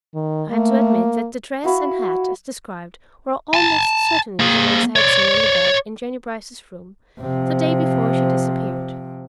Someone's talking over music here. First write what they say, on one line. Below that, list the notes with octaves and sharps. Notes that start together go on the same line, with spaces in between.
I had to admit that the dress and hat as described were almost certainly the ones I had seen on the bed in Jennie Brice's room the day before she disappeared.
D#3
A3 A#3
E4 F#4 F5
G#5 A5
A#3 G#4
C#5 D5
C3 F3